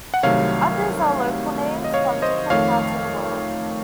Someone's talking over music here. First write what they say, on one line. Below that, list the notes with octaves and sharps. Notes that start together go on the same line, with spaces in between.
Others are local names from different parts of the world.
F#5
C2 C3 D#3 F#3 A3 C#5 F5
D#5
C#5 F5
C5 D#5
F2 D#3 A3 C#5 F5